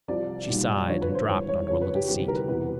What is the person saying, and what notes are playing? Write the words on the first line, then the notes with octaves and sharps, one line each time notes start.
She sighed and dropped onto a little seat.
C2 C3 F3 D5
B1 A#2 G3
F2 D3 F3 C#5
B4
C5
G#1 G#2 E3 G3 C#5
C#5
F2 C#3 F3 C#5
B4
G4
D2 C3 E3 G3 G4
A#4
B4
E1 E2 C3 E3 B4